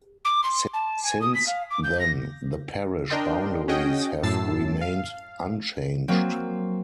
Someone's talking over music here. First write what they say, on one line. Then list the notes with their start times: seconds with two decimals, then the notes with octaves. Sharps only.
Since then the parish boundaries have remained unchanged.
0.25 D6
0.43 C6
0.73 A5
1.03 G#5
1.21 D#6
1.34 B6
1.47 F5
1.71 D6
1.84 G6
2.00 A#6
3.10 D4 A#4 D#5 G5 C6
3.68 C#4 F#4 G#4 D#5 G5
4.23 F#2 A2 A5 E6 A6 C7
4.81 F5
6.08 F#3 A#3 C4